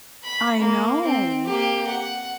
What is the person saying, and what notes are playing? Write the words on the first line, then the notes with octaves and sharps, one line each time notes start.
I know.
B5
A#3
C4
A#3 G4
F#5